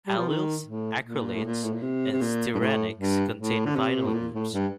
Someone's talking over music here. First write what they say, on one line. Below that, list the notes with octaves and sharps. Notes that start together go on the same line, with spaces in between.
Allyls, acrylates and styrenics contain vinyl groups.
G3
F3
D#3
A2
A#2
A2
A#2
A2
A#2
C3
C3
A#2
G2
A2
G2
A2
D3
C3
A2
A#2
A2
G2